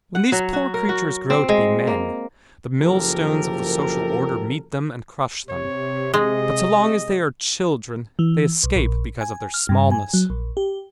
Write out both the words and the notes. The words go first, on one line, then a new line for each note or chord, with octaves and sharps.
When these poor creatures grow to be men, the millstones of the social order meet them and crush them, but so long as they are children, they escape because of their smallness.
F#5
F#3
F#4
A#4
F#4
C4
G#3
A#3
F#1 F3 G4 A4 A#4
C3 C#5
G#3 D#5
E3
B1
A#1
G#5
F6
G2
G#5
F#3
A#1
G4